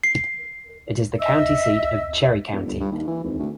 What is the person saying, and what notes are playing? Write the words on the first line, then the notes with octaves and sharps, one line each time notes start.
It is the county seat of Cherry County.
C7
D#5 E5 E6
E1
G1
G2
D#2
E3
G#1
D2